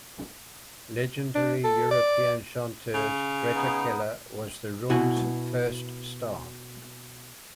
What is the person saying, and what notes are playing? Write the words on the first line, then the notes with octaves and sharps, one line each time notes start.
Legendary European chanteuse Greta Keller was the room's first star.
D4
A4
D5
C#3
B3 D#4
B2 E4 F#4 G#5